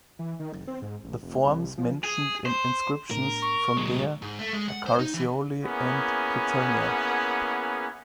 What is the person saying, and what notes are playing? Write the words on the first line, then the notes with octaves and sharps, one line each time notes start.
The forms mentioned in inscriptions from there are Carsioli and Cliternia.
E3
D#3
F#1
C4
G#2
A1
F1
C2
F3
G#4
C5
A2 B3 D4 A#4
C#6
D2 A#2 F#3 G#3 A#3
G#2
A3
G#3
F#5
C5
D#4
E3
A#3 B3 C#4 E4 G#4